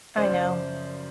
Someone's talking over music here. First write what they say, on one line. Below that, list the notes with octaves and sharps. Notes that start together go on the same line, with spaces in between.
I know,
F#2 C#3 F3 C5 D5